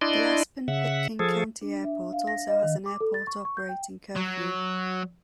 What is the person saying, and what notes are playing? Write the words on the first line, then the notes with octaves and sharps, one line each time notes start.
The Aspen - Pitkin County Airport also has an airport operating curfew.
D4 E4 D5 D#5 C6
C#3 E5 F#5
F3 G#4 A4
D4
E5
F5
A#6
D#5
D#3
D6
A4
A6
C#6
C#6
G6
G5
F#3